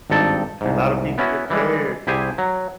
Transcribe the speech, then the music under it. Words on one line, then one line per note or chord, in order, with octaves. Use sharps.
Lotta people get scared
G#1 G2 D#4 A4 D5
C2 G#2
B3 C#4 E4 F#4
E3 G3 G#3
C2 E4 G4 G#4 C5 G#5
F#3